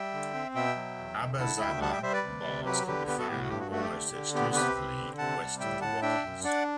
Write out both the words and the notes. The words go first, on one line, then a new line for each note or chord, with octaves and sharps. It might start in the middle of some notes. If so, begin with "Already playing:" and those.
Abba-Zaba bars can be found almost exclusively west of the Rockies.
Already playing: G3 E5 G5
D3
C4
B2 E5 G5
F#3
E2
D3
E4 F#5 A5
D2 E5 G5
G3 F#5 A5
E5 G5
G3 C5 E5
B4 D5
C3
C3
F#3 G4 B4
D3 G4 B4
B3 G4 B4
F#4 A4
A2 G4
F#4
G2 G4
F#4
A3 F#4
G4
D3
D3
B3 G4
C3 G4 B4
C4
D3
C3 F#5 A5
G3
A2 E5 G5
A2 F#5 A5
D4 E5 G5
F#2
D4 D5 F#5